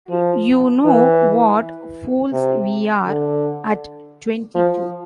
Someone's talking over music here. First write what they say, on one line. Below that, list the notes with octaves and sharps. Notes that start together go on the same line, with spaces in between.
You know what fools we are at twenty-two?
F3
E3
C3
D3
F3